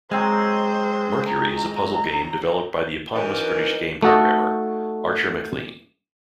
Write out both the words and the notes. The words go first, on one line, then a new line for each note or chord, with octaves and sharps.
"Mercury" is a puzzle game developed by the eponymous British game programmer, Archer MacLean.
F#3 G#3 C4 G#4 C5
A#5
F#2 E3 D#4 A#4 B4
A3 D#4 F#4 A4 D#5